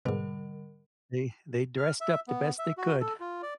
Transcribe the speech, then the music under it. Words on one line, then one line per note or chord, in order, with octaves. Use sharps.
They they dressed up the best they could.
G#2 B2 D3 G3 A#4
F6
E5
B3
E5
F#4
A4
F4
D5